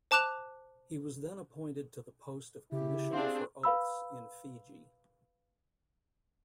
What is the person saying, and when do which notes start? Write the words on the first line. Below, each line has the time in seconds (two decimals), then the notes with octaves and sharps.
He was then appointed to the post of Commissioner for Oaths in Fiji.
0.11 C5 A5 D6 F#6 E7 F7
2.72 C#3 E4 G4
3.13 C4 D4 G#4 F5
3.63 B4 F5 B5 E6